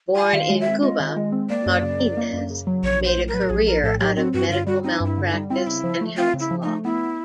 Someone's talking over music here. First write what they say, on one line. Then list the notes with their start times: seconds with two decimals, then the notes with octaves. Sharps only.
Born in Cuba, Martinez made a career out of medical malpractice and health law.
0.16 F4 G#5
0.33 D#3 E5
0.38 F5
0.50 G#3
0.60 E5
0.66 C4
0.82 F4 D#5
1.00 D#3
1.16 G#3
1.32 C4
1.49 A#3 D5
1.66 F#2
1.82 C#3
1.99 F#3
2.17 A#3
2.33 F#2
2.50 C#3
2.67 F#3
2.83 A#1 C#5
3.00 A#1 C5
3.17 A2
3.28 A#4
3.34 F#3 B4
3.41 A#4
3.50 A#1 G#4
3.67 A#1 A#4
3.83 A2 A4
4.00 F#3 G4
4.16 C4 F#4
4.33 G2 F#4
4.50 D3 F4
4.67 G3 F#4
4.84 C4 D#4
5.00 G2
5.06 E4
5.18 D3
5.28 D#4
5.34 G3
5.50 C4 E4
5.58 F4
5.67 C#3 E4
5.84 F3
6.01 A3
6.17 C4 F4
6.34 C#3
6.40 E4
6.51 F3
6.62 A3 D#4
6.84 B3 E4